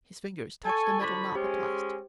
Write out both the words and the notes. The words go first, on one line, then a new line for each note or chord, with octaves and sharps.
His fingers touched the metal knob at last.
A4 G#5 A5 C#6
D3 F3 B5
G#3 C#4 G4 C5